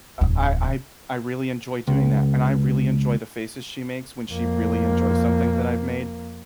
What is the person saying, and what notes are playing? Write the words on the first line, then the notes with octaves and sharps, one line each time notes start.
I I I I really enjoy doing that, and I really enjoy the faces she makes when she really enjoys something that I've made.
D1 E2
C#2
F2 A#3